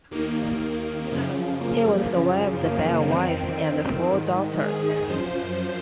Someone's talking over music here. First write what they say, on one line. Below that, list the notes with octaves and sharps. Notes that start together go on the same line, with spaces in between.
He was survived by a wife and four daughters.
D#2 D#3 A#3
F#2 C#3 F3
A#3
F#2 C#3 F3
A#3
F2 D#3 C4
G#2 D#3
G#4
F#2 F3 C5